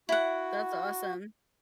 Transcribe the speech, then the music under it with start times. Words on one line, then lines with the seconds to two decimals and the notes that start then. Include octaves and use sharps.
that's awesome.
0.09 E4 F#4 F#5